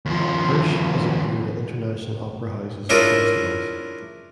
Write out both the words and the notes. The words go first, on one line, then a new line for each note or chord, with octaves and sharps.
Hirsch has appeared at international opera houses and festivals.
D#2 F3
C#4 D4 E4 F4 G#4 A#4